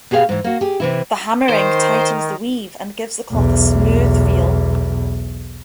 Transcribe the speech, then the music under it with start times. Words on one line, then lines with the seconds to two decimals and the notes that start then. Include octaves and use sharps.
The hammering tightens the weave and give the cloth a smooth feel.
0.11 B2 G4 G#4 C#5 F5
0.29 G#2 E3
0.44 A#3 F#4
0.61 G4 G#4
0.80 C3 E3 E4
1.50 D#3 C5
3.30 B1 E2